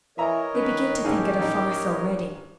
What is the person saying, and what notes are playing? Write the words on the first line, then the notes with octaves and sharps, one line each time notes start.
They begin to think it a farce already.
E3 A#4 C#5 D#5 E5 A#5
D#3 C#4 B4
A1 D#4 G4 G#4
A1 D#4
G2